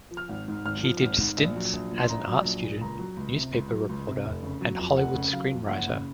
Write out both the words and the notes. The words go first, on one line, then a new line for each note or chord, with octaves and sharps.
He did stints as an art student, newspaper reporter and Hollywood screenwriter.
F3
F6
G#1
G#2
G#1 F6
F3
G#1
G#2
A#1
F#3
A#1
A#2
C6
A#1 A#5
F#3
A#1
A#2
C#2 A#5
F#3
C#2
C3
C#2
F#3
C#2
C3
F1
C#3
F#3
F2
F1 F#5
C#3
F#3 F5
F2
F#1 F#5
C#3